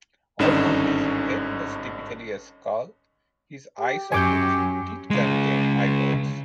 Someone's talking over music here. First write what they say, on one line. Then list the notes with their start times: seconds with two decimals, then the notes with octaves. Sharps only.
Although his head was typically a skull, his eye sockets did contain eyeballs.
0.39 G#1 G2 D3 C#4 D#4 E7
3.79 G4
4.12 F#2 F#3 G#5 D6 G6
5.10 C#3 G#3